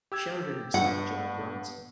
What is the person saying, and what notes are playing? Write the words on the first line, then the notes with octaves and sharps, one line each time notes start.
Sheridan himself joined Grant.
G4 E6 G#6
G2 B3 F#5